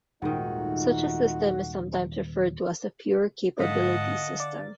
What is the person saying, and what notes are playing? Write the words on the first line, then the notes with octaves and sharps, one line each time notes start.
Such a system is sometimes referred to as a "pure" capability system.
D#1 G#2 D#3 A3 D#4 F4 F#4
G#2 D3 D#5 F5 F#5 A5 B6
D5 A6